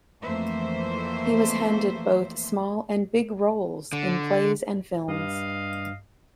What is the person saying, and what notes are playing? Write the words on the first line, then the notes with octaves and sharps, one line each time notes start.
He was handed both small and big roles in plays and films.
F2 E3 A3 A#3 C5 E5
D3
G2 D#5 F5